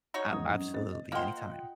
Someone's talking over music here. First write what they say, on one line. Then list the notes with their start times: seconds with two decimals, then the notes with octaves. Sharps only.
A absolutely, anytime.
0.14 D#4 F#4 C#5
0.32 F1 E2 G#2 D#6
0.52 F#2
0.74 C4 D#5 A6
1.12 A#3 F4 C5 D#5 F#5 G5